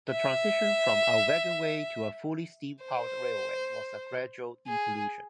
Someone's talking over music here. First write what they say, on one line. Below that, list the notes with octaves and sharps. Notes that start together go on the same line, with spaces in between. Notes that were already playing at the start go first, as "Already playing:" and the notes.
The transition from a wagonway to a fully steam-powered railway was a gradual evolution.
E5
C5
G#4